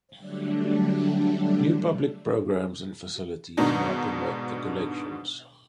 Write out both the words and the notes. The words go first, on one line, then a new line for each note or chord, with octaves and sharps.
New public programmes and facilities now promote the collections.
D3 F#3 G3 A3 D4
G#2 B2 D#3 D4 D#4